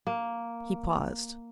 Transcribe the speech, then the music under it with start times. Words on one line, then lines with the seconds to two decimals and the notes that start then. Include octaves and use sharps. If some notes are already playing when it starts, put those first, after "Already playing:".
He paused.
0.07 A#3